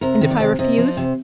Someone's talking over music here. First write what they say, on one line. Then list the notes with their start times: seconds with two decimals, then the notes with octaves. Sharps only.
"And if I refuse?"
0.01 C3 A#4
0.21 D#3
0.31 D5
0.40 C3
0.59 C3 D#5
0.78 F3
0.97 C3